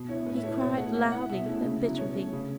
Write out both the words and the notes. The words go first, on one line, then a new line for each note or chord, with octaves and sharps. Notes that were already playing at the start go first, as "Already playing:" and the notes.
He cried loudly and bitterly.
Already playing: B2
E4 C#5
B3
A2 B4
E5
A3 E4 B4 C#5
B2 C#5
A3 E4 F#5
B2 E5
B3 E4 F#5
B2 E5
A3 C#4 E4
C#3
F#3 B3 E4
B2 C#5
A3 C#4
C#3